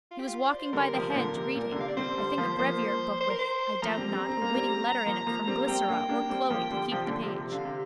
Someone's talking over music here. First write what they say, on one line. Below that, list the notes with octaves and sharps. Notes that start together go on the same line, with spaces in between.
He was walking by the hedge, reading, I think a brevier book with, I doubt not, a witty letter in it from Glycera or Chloe to keep the page.
F4
G4
F4
C5
D5
C5
D3 G3 A#4
C3 F3
F3
A#2 D3
C3
A#2
D3
C3
F5
D5
G3 C4 C5
D3 G3
F3 A#3
F3 A#3 C5
C5
A#4
C5
F3 A#3 A#5
G3 C4
G3 C4
C4
A#3
G3 C4
F3 A#3
F3 A#3
G3 C4
A#3
G3 C4 G5
A#3 D4
A#3 D4
G3 C4
F3 A#3
D3 G3
C3 F3
A#2 D3
C3 F3
C3
D3 F5
C3